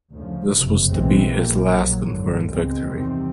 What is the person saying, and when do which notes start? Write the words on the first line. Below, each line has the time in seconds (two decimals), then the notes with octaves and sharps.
This was to be his last confirmed victory.
0.11 D2 C#3 F3
0.50 F#1 F2 C3
0.90 B1 A2 E3 G#3 C4
1.28 A#1 A#2 G3 A#3
1.67 A#1 A#2 F#3
2.06 G#1 F#2 D3
2.46 C#2 B2 G#3 C4
2.84 E2 C3 D#3 G3 C4